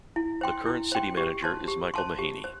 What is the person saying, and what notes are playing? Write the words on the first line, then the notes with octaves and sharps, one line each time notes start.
The current City Manager is Michael Mahaney.
E4
C5 G5 C6
E4
C5 G5 C6
G4
C5 A5 C6
G4
C5 A5 C6
G4
C5